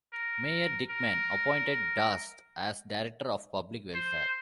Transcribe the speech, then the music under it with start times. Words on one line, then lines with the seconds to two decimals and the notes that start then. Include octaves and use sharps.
Mayor Dickmann appointed Darst as Director of Public Welfare.
0.14 A#4
0.90 A#4
3.94 C5